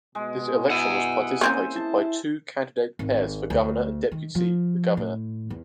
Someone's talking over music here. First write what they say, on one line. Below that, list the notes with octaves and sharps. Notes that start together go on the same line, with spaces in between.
This election was participated by two candidate pairs for governor and deputy governor.
B2 G#3
E4 F#5 G#5
A#3 C4 C#4 C5
E4 A5
G#1
D2
D#3
F3
A2
E2